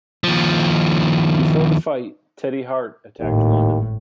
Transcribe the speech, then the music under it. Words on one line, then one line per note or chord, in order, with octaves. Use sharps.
Before the fight, Teddy Hart attacked London.
D#2 F3
G#1 D#2 A2